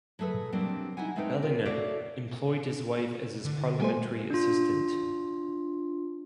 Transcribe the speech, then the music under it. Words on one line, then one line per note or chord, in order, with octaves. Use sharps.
Bellingham employed his wife as his Parliamentary Assistant.
F#3 A3 G#4 A4 B4
F#3 G3 A#3 C4 D4
D#4 E4 F#5 G#5
G#3 A3 C4 D#4 B4 G5
B3 F4 A#4
F#4 A4 C#5 D5 E5 F5
D3
G3 A3 C5 G5 G#5
D4 F4